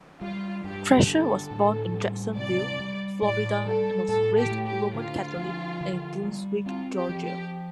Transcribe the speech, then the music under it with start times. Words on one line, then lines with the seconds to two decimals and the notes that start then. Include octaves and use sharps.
Trasher was born in Jacksonville, Florida and was raised Roman Catholic in Brunswick, Georgia.
0.21 G3 F4
0.64 G2 G4
1.07 D3 A4
1.51 A2
1.94 G3
2.36 C3 D5
2.80 G3
3.22 A2 D5
3.65 G3 A4
4.08 A2 A4
4.37 G4
4.51 A3
4.66 G4
4.94 D3 F4
5.37 F3
5.81 D3
6.24 G3
6.66 C4 F4
6.95 G4
7.09 F3
7.24 G4